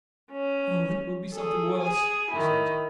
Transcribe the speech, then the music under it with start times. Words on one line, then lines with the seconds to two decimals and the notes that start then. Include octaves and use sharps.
'Oh, it will be something worse,' she said.
0.31 C#4
1.32 G#4 A4
1.79 G#4 G#5
2.31 D#3 E4